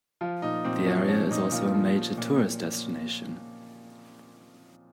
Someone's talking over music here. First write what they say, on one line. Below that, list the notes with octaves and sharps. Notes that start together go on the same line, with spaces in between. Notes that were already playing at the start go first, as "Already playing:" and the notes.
The area is also a major tourist destination.
F3 F4
A#2 D#4
A#2 C4
F3 C#4
F3 C#4
A#2 D#4
A#2 F4
F3
F3
A#2